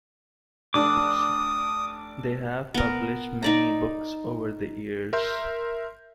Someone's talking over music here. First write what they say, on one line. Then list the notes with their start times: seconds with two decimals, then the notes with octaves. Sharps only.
They have published many books over the years.
0.74 F1 D4 D6 D#6
2.74 B3 A#4
3.43 D#4 D5 A#5
5.13 A#4 E5 C6 G6